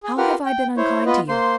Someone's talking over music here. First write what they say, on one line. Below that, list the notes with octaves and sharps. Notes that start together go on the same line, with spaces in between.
"How have I been unkind to you?"
G#4
F4 G4 A#4 B4 F#5 F6
G5
E4 C5 C#5
B3 F4 B4 D#5
A#3 C5 C6